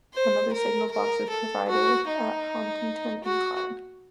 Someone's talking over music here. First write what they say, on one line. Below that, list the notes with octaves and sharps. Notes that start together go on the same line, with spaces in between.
Another signal box was provided at Honiton Incline.
C5
A#4
A#4
A4
F#4
D#4
F#4